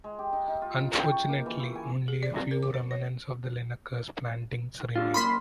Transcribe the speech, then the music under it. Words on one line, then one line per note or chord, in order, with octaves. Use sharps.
Unfortunately, only a few remnants of the Linaker's plantings remain.
G#3
G4
D#4
D#4
F4
C#3
G5
C#6
A#3
E3
E4
G#5
G#4
D5
C4
A#4
D6
C5
C#5
D3 G3 F4
C2 F#2 A#3 B5 C6 B6